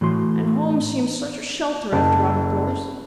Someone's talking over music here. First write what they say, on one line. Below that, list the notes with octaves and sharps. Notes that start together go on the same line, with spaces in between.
And home seems such a shelter after out of doors!
A2 E3 F#4 C6
F#1